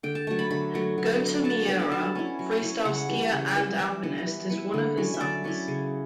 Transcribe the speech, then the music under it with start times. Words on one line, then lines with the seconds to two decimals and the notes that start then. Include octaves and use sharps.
Gota Miura, freestyle skier and alpinist, is one of his sons.
0.03 D3 G5
0.15 A5
0.27 F#3 A3 A5
0.39 B5
0.51 D3 B5
0.74 F#3 A3
0.98 F#3
1.21 B3 D4
1.44 F#3 A5
1.68 B3 D4 G5
1.79 B5
1.92 F#3 A5
2.15 C#4 E4
2.39 F#3
2.62 C#4 E4
2.85 C#3 F#5
3.09 E3 G3
3.32 C#3
3.56 E3 G3
3.79 E3 E5
4.03 B3 E4
4.27 E3
4.50 B3 E4
4.74 D3
4.97 F#3 C#4 E4
5.14 E5
5.20 D3 D5
5.44 F#3 C#4 E4
5.68 C#3